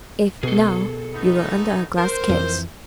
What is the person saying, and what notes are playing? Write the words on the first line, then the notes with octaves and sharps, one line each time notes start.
"If, now, you were under a glass case."
B2 G#4 A4
A3 B3 D#4
A#4 C5
F2 E3